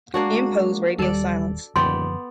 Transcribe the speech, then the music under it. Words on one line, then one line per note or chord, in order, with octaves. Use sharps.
Impose radio silence.
G#3 A#3 D4 F#4
D#1 D#3 G3 A4 D5
D#1 F#2 D3 F3 B3 D5 G5 C6